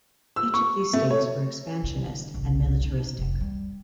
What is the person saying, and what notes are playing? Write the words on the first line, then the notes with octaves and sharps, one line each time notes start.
Each of these states were expansionist and militaristic.
E6
C#6
A3
C#5
D3
G1 C2
A#3 D#4
F1 A3
G3